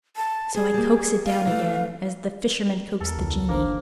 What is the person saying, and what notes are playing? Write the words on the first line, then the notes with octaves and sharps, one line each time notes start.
So I coax it down again, as the fisherman coaxed the genie.
A5
G#4 C5
G3 A#3
F5
E3 A3
E2 A4 A#4
C#2
G1 A#3 D4 A#4 C5